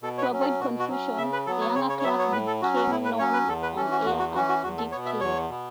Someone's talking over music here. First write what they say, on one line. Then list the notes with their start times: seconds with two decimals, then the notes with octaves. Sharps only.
To avoid confusion, the younger Clark became known on-air as "Dick Clay".
0.02 B2 A4
0.18 C#5
0.22 B4
0.31 F#3 C#4
0.41 A4
0.60 B2 F#4
0.79 F#4
0.89 F#3 C#4
1.18 C#3 E5
1.33 B4
1.46 F#3 B3 A4
1.61 C#5
1.76 C#3 C#5
1.89 C#5
2.00 C#5
2.04 F#3 B3 E5
2.19 C#5
2.32 A2 B4
2.47 A4
2.62 F#3 C#4 F#4
2.76 F#4
2.90 A2 E4
3.05 B4
3.19 F#3 C#4 C#5
3.33 B4
3.48 E2 A4
3.63 B4
3.76 E3 C#4 A4
3.92 F#4
4.06 E2 F#4
4.19 F#4
4.34 E3 C#4 F#4
4.49 F#4
4.63 E2 F#4
4.78 A4
4.92 B3 C#5
4.96 B2
5.06 E5
5.21 E2 C#5
5.50 B2 B3